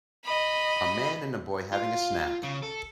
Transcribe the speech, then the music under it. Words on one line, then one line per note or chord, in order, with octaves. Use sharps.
A man and a boy having a snack.
D#5 B5
F4
C#3
A4